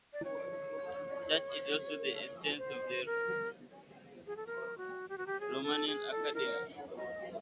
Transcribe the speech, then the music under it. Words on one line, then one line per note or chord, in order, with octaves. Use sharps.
Such is also the stance of the Romanian Academy.
D5
C#5
C5
A#4
G#4
A4
A#4
F#4
G4
F#4
G4
G#4
A4
G#4
A4
A#4
D#5